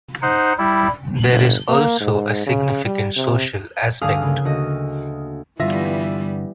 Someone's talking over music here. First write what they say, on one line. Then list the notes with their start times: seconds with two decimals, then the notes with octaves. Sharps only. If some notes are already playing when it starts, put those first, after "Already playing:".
There is also a significant social aspect.
0.22 D#4 C5 F#5
0.59 G3 E4
1.32 G1
1.69 A#3
2.00 G#2
2.47 C#3
2.84 G3
3.16 C3
4.01 D2 G2 D4 G#4 F5 D#6
4.22 C#3 A#3
4.45 D2 F#4 D#5
5.60 G2 D3 E3 G3 B3 F4 E5 A#6